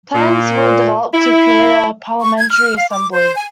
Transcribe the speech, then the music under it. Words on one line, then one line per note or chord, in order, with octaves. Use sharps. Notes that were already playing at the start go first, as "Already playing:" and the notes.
Plans were developed to create a parliamentary assembly.
A#2
E4
C#6
G#6
F6
F5
D6
C5
G#5